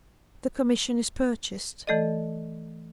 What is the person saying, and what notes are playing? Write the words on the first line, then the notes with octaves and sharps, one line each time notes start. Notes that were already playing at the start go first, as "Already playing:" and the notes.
The commission is purchased.
E3 A3 A4 D5 D#5